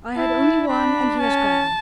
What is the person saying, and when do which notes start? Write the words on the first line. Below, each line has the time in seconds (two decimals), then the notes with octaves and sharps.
I had only one, and he has gone.
0.16 E4 A5
0.68 D4 B5
1.20 C#4 A5